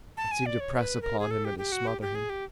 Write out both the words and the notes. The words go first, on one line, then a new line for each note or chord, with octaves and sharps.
It seemed to press upon him and to smother him.
A5
G#5
D5
C#5
C#5
B4
A#4
G#4
A4
G4
G4
F#4
G4
G4
G#4
G4